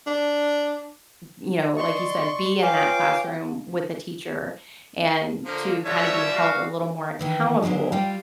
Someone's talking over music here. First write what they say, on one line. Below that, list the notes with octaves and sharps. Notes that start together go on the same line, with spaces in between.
you know, like you said, be in that classroom, with a teacher, and to kinda be held a little more accountable
D4
D5 D#5 C6 C#6
F4 B4 C#5 F5 G5 G#5 D6
D3 F3 A#3
F3 G3 F#4 A4 C#5 E5
F#4 F5
D#3 E3 E4
D3 F#3 G#3 A#3 B3
G3 F4 D5 G5